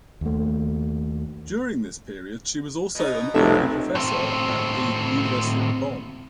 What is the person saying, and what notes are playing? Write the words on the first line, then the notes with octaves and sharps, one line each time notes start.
During this period, she was also an honorary professor at the University of Bonn.
D#2 A3
B2 D#4
F1 B1 C3 G#3 A4 E5
A2 C4